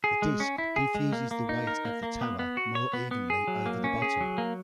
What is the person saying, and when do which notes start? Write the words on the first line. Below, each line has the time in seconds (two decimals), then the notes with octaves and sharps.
The disk diffuses the weight of the tower more evenly over the bottom.
0.04 G#4
0.22 G#3
0.40 C#4
0.58 E4
0.76 G#4
0.95 G#3
1.13 A#3
1.31 A#3
1.49 D#4
1.67 A#4
1.85 A#3
2.03 A#3
2.21 B3
2.39 B3
2.57 F#4
2.75 C#5
2.93 B3
3.11 B3
3.30 G#4
3.48 F#3
3.66 A#3
3.84 C#4
4.02 G#4
4.21 F#3
4.38 A#3